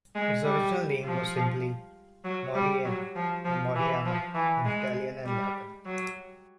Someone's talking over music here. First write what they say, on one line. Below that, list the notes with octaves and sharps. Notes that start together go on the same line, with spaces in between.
Its original name was simply Maurienne, or Moriana in Italian and Latin.
G#3
G3
F3
F#3
G3
F#3
F3
F3
E3
F3
E3
G#3
G3
F#3